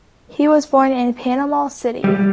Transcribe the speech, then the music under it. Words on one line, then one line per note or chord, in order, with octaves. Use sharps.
He was born in Panama City.
G3